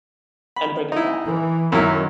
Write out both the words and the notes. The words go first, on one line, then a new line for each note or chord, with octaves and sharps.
and bring it back.
B5
D#4 E4
E3
F#2 D#3 F#3 E4